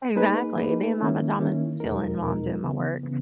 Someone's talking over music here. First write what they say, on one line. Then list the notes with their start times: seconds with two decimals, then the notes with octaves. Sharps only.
Exactly, me and my pajamas chilling while I'm doing my work
0.16 A#3 D#4 G#4 B4
0.57 A#3 D#4 G#4 B4
0.98 D#3 A#3 C#4 E4
1.39 D#3 A#3 C#4 E4
1.80 E2 B2 G#3 D#4 A#4
2.21 E2 B2 G#3 D#4 A#4
2.63 C#3 E3 B3
3.03 C#3 E3 B3